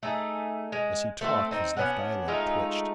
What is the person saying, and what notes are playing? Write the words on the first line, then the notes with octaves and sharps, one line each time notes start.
As he talked his left eyelid twitched.
A3 D#4 G#4
G#3
A3 C4 F#4 A4
C4 D#4
B3 C#4 D4 F#5
G#3 A3 D#4 F4